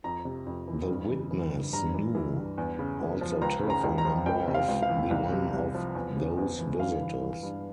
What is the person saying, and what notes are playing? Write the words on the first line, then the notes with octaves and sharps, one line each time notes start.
The witness knew also telephone number of the one of those visitors.
F2 A#5
C3
F2
E3
G2
E3
E3
G2
G2 A#5
E3
E3
G2
E2
C#3
E2
F3
C#2 A#5
C#3
A#5
C#2
A#5
F3
C#2 G5
C3
F5
C#2
F5
E3
C2
C3
C2
F3
E2
C#3
E2
E3
G2 F5
E3
E3
G2